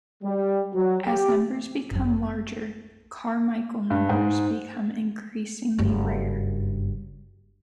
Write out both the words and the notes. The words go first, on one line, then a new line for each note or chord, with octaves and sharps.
As numbers become larger, Carmichael numbers become increasingly rare.
G3
F#3
G4
G1 F#2
G2
G#2
F#1 G2